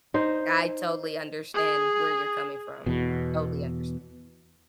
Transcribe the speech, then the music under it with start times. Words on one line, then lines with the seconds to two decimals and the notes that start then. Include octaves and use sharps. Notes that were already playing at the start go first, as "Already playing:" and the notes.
I totally understand where you're coming from. Totally understand.
0.14 D#4 C5
1.55 G#4
2.86 E2 B2